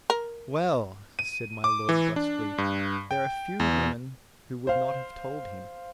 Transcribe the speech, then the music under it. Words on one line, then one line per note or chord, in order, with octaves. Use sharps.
"Well," said my lord brusquely, "there are few women who would not have told him."
A#4
D#7
D6
E3
D4
G2
G5
E2
C5 F5